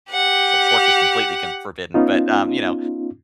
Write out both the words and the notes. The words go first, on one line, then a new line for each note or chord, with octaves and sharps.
well, pork is completely c forbidden, but, um, you know,
G4 F#5
B3 C#4 D#4 F4